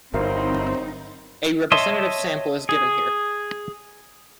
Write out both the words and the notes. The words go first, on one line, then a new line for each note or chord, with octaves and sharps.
A representative sample is given here.
G1 F#3 C4 D#4 E4 A#4 C5 F5
C#5 D#5 E5 A5 C6
G#4